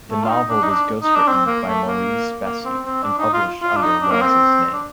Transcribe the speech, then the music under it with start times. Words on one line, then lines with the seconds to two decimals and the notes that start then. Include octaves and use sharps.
The novel was ghostwritten by Maurice Bessy and published under Welles's name.
0.11 A3
0.24 F4
0.30 D#4
0.50 D4
0.63 D#4
0.70 D4
1.03 D#4
1.15 D4
1.28 C4
1.47 A#3
1.68 A3
1.87 A#3
2.45 A#3
2.65 C4
2.85 C4
3.03 D4
3.19 D#4
3.34 F4
3.62 F4
3.77 D4
3.83 D#4
4.02 D4
4.12 A#3
4.22 C4
4.73 D4